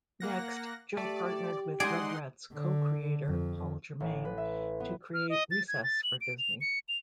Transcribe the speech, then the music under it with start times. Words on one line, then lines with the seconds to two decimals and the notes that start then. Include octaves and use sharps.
Next, Joe partnered with Rugrats co-creator, Paul Germain, to create Recess for Disney.
0.20 A#3 F#5 A#6
0.97 A3 G4 D5
1.80 G#3 D#4 G#4 D5 F#5 C6
2.53 D3
3.26 F2
4.00 A1
4.25 B4
4.38 E5
4.80 B3
5.14 F6
5.29 D#5
5.51 A6
5.68 G#6
5.83 A6
6.04 F#7
6.21 D7
6.39 F7
6.61 C#7
6.89 F7